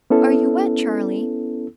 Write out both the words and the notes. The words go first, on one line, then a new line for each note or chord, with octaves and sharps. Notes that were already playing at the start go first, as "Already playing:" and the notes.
'Are you wet, Charlie?'
B3 C#4 E4 A4